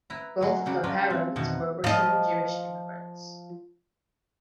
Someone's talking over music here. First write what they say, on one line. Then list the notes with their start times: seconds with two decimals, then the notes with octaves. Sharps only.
Both of her parents were Russian Jewish immigrants.
0.10 E4 B4 E5 A#5
0.41 F#3 G#3
0.66 C#3 F#3 G3 F#5
0.83 C#4 D4 F4 A#4 B4
1.10 C4
1.36 F2 B2 D#3 E3 F#5 A5
1.84 F3 D#5